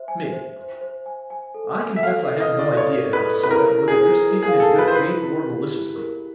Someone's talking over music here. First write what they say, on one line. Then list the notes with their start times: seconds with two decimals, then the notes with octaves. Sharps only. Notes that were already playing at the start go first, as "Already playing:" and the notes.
ME: I confess I have no idea how to sort out whether you're speaking in good faith or maliciously.
Already playing: C5 E5
0.08 G#5
0.33 C5
0.56 C5
0.81 C5
1.06 G#5
1.30 G#5
1.54 A4
1.78 G#5
1.96 E5
2.03 A4 F5
2.28 A4
2.40 D#5
2.52 E4
2.59 D5
2.77 A4 C#5
3.01 A4
3.13 B4
3.25 A4
3.43 B4
3.50 E4 A#4
3.75 E4
3.88 G#4
3.99 C5
4.24 E4
4.43 G#4
4.48 F5
4.60 A4
4.73 E4
4.79 B4
4.88 C5
4.95 E4 B4
5.22 E4
5.46 G4
5.71 E4
5.95 A#4